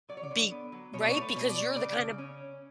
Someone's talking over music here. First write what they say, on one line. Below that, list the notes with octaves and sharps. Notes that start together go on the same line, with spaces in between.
be Right? Because you're the kind of
F#3 D5
C#5
D5
D3
B3
F#3
B2 C#5
D5
C#5
A3
B4
B2
D5
B2
C#3 D5
C#3
C#4